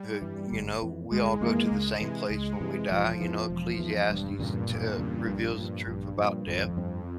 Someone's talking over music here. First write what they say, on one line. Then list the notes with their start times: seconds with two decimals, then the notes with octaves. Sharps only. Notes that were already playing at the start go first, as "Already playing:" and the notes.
uh, you know, we we all go to the same place when we die you know, Ecclesiastes, t uh, reveals the truth about death,
Already playing: G3
0.22 G2 E3
0.52 G1
0.82 F2 E3
1.11 G1 G#3
1.41 F2 E3 A#3
1.71 C#2 G#3
2.01 C3 E3
2.30 C#2
2.61 C3 E3
2.90 E1 F3
3.20 E2 E3
3.50 E1
3.79 E2 E3
4.09 E1 G2
4.39 E2 A#2 C#3 G3
4.68 E1 A#2
4.98 E2 C#3 G3
5.28 A#1 G2
5.58 A#2 F3
5.88 A#1
6.17 A#2 F3
6.47 G#1 F2
6.77 G2 F3 C4